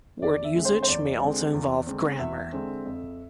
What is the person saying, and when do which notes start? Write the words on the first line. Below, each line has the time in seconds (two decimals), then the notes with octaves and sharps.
Word usage may also involve grammar.
0.22 E2 D5
0.44 E5
0.54 D3 G#3 C4
0.65 C5
0.83 C5
0.88 E2 D5
1.20 D3 G#3 C4
1.53 E2
1.87 D3 G#3 C4
2.19 E2 E5
2.52 D3 G#3 C4
2.85 F2